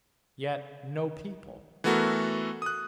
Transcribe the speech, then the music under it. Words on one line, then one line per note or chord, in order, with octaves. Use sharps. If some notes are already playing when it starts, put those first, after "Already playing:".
Yet no people.
E3 A3 B3 F#4 A4 A#4
D#6 F#6